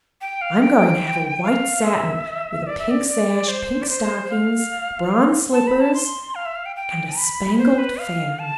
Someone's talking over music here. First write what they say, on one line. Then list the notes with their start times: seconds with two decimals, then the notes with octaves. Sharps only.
"I'm going to have a white satin with a pink sash, pink stockings, bronze slippers, and a spangled fan."
0.21 G5
0.41 F5
0.62 G5
1.43 F5
1.85 E5
2.67 D5
2.79 E5
2.91 D5
3.08 D5
3.48 C5
3.82 D5
3.89 C5
4.31 F5
5.53 A5
5.67 B5
5.81 A5
5.94 C6
6.35 F5
6.45 E5
6.56 F5
6.66 G5
6.76 G5
7.17 B5
7.58 C5
7.78 B4
7.99 F5
8.39 A5